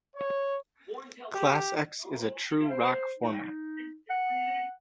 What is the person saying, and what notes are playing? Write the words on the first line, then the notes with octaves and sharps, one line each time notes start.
ClassX is a True Rock format.
C#5
G4
C5
D#4
F#5